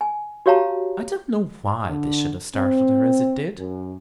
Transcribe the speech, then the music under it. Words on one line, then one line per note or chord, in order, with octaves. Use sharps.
I don't know why this should have startled her as it did.
G#5
F#4 G4 C#5 F5 A5 A#5
D3
C4
F#2